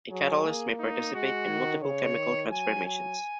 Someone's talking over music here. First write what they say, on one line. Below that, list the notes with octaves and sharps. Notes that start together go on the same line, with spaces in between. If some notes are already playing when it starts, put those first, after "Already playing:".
A catalyst may participate in multiple chemical transformations.
F#3 G#4
A#3
D#4
G#3 F#4
D#3
C#3 C#5
D#3
F#3 G#5
G#5